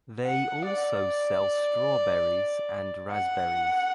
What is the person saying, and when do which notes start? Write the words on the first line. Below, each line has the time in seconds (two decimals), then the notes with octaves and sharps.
They also sell strawberries and raspberries.
0.26 F#5
0.67 D5
3.12 F#5